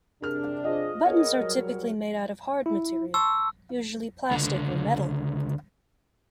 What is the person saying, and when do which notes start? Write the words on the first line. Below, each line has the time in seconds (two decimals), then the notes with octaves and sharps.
Buttons are typically made out of hard material, usually plastic or metal.
0.22 C3 D4 G#4 A#4 F6
0.64 F4 G#4 C5 D#5
1.06 B3 G#4 A#4 C#5
1.38 F#3 G3
2.66 E4
3.14 A5 C6 C#6 E6
4.31 C#2 D3